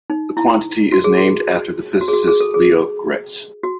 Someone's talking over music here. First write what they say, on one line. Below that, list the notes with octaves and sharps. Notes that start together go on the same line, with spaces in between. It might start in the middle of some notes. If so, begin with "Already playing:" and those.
The quantity is named after the physicist Leo Graetz.
D#4
E4
F#4
G#4
F#4
F#4
G#4
F#4
G#4
A4
G#4
F#4